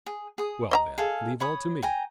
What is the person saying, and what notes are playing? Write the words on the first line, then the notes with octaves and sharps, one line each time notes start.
"Well then, leave all to me!"
G#4
G#4 D#6
D#5 E5 A#5
G#4 A4 F5
C#5 B5 D#6
G5 G#5 A#5